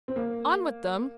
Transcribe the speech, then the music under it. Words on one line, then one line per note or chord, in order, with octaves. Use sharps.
On with them!
C4
A#3